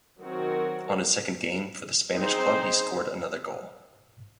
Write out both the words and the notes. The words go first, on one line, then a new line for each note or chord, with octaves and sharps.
On his second game for the Spanish club he scored another goal.
D#3 F#3 C4 F#4 A#4
C4 D#4 G#4 C5